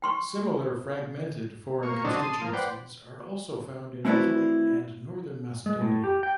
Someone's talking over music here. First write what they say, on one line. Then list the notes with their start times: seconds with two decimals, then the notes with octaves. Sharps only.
Similar "fragmented" foreign constituencies are also found in Italy and Northern Macedonia.
0.02 G5 C6 C#6
1.83 A#3 C#6
2.04 D3 F#3 C4 D4 D#4
2.16 A5 C6 D#6
2.41 F3 A#3
2.53 B4 C5 D5 F#5 G5
4.05 A3 C4 E4 F#4 B4 D5
5.66 G#3
5.81 A2
6.04 G4
6.23 G5